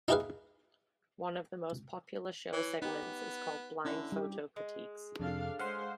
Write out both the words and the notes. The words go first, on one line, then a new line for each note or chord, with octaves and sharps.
One of the most popular show segments is called "Blind Photo Critiques".
D#4 E4 G4 G#4 B4 F5
E3 C#5
B3 D#4 G4
D3 C#4 D4 E4
G3 G4
G#3
F2 C3 D4 A4 F5
G#3 C#4 C5 F5 F#5 C6